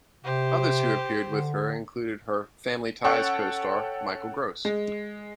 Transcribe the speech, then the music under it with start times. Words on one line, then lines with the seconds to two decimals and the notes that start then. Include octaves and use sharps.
Others who appeared with her included her "Family Ties" co-star Michael Gross.
0.24 C3 G4 C5
1.27 D3
3.04 C#4 A4 F#5 G5 C#6 F#6
4.65 G#3